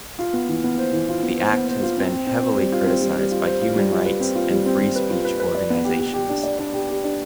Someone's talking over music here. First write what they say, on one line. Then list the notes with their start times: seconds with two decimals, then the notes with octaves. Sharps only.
The act has been heavily criticised by human rights and free speech organisations.
0.19 F4
0.33 B3
0.49 E3
0.64 B3
0.78 C5
0.93 E3
1.09 F4
1.23 B3
1.38 C5
1.53 B3
1.68 C5
1.83 F4
1.97 C4
2.12 C4
2.27 C4
2.43 C4
2.57 G3
2.72 F4
2.87 C4
3.02 G3
3.16 G3
3.31 F4
3.47 C5
3.62 F4
3.76 G3
3.91 F4
4.06 B4
4.20 C4
4.35 F4
4.51 G3
4.66 C4
4.80 G3
4.96 B4
5.10 F4
5.25 B4
5.40 B4
5.55 D5
5.70 B3
5.84 G4
5.99 G4
6.14 G4
6.29 D4
6.43 D5
6.59 D4
6.74 G4
6.89 G4
7.04 D4